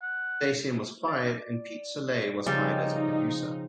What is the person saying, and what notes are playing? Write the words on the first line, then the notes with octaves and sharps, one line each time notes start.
Stasium was fired and Pete Solley was hired as producer.
F#5
D5
C#3 F3 G3 C4 D#4